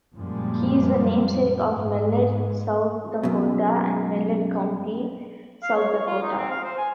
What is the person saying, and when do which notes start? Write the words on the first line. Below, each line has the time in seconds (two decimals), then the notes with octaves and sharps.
He is the namesake of Mellette, South Dakota and Mellette County, South Dakota.
0.14 F#2 A#2 F3 G3 G#3 A#3
1.66 G#2 G#3
3.23 F#2 B2
5.63 F5
5.75 C#5
5.91 C#5
6.07 F4
6.22 D#4
6.38 C4
6.51 F5
6.64 C5
6.78 G#5